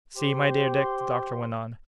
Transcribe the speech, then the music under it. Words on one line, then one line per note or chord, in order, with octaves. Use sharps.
"See, my dear Dick!" the doctor went on.
G4 C5 C6